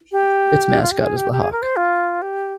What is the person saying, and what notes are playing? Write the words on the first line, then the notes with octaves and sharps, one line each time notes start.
Its mascot is the Hawk.
G4
F4
G4
G#4
G4
G4
G#4
A#4
C5
F4
G4